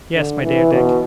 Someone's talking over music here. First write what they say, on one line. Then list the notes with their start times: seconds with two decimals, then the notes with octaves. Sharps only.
"Yes, my dear Dick!"
0.15 D3
0.43 E3
0.72 B2